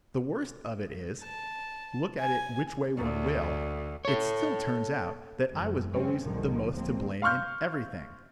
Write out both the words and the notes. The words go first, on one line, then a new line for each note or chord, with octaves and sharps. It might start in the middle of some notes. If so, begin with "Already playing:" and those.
The worst of it is, look at it which way one will, it still turns out that I was always the most to blame in everything.
A5
G#5
D2
A4 C#5
F#1 E2 G#3
F#2 G#3 C4 C#4
C2 A2 D3 D#3 F3 G#3
D2 F3 G#3 A#3 C4
F5 C6 C#6 F6 G6